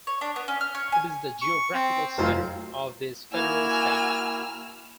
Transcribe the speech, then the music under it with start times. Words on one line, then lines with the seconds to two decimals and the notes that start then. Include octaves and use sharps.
It is the geographical center of this federal state.
0.07 C#5
0.21 D4
0.36 B3
0.48 C#4
0.61 F6
0.75 C#5
0.92 G#5
1.42 C#6
1.74 C4
2.18 F1 F#3 F4 C5
3.33 A#3 E4 F#4 G#5 E6 F6